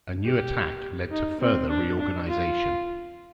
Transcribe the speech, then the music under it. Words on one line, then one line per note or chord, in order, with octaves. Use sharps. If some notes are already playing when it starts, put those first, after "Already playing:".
A new attack led to further reorganization.
G4
D#4
C4
D4
D4
F4